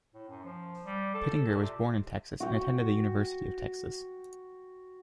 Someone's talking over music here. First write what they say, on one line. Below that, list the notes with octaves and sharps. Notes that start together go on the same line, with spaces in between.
Pittenger was born in Texas and attended the University of Texas.
A2
F#2
F3
G3
A4
A#2
C3
F#4 G5